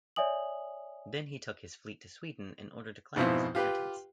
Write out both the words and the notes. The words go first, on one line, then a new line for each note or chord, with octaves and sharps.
Then he took his fleet to Sweden in order to claim his inheritance.
C#5 D5 E5 G#5 D#6 F#7
G#2 B2 F3 C4 E4
F4 G4 B4